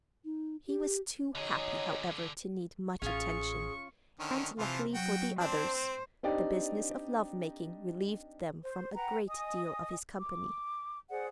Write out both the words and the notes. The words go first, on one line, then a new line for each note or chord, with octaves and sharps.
He was too happy, however, to need much attention; and luckily for the others, the business of love-making relieved them from a great deal of his company.
D#4
G4
D3 F#3 C#4 D#4 G#4
A1 C#4 F4 G#4 C#6
D3 D#3 C#4
C3 E3 F3 F4
F#3 F#4 G5
C4 D4 C5
C4
C4 D4 D#4 G4 D5 G5
C5
B4 F#5 G5 A#5
D#5 G#5 D#6
D6
G#4 C5 D5 F#5